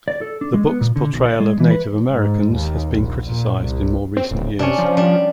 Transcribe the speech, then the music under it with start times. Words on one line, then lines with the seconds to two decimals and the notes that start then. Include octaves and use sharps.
The book's portrayal of Native Americans has been criticized in more recent years.
0.08 D5
0.21 A4
0.41 D4
0.54 G#3
0.66 B3
0.81 A#2
0.96 D3
1.12 B1
1.25 D5
1.40 G#3
1.60 E3
1.71 B4
2.12 G#2
2.53 D#2
2.90 A#1
3.29 A#2
3.58 C2
4.17 C4
4.31 D1
4.59 C3 C#4 D4
4.78 F3
4.97 G3 D4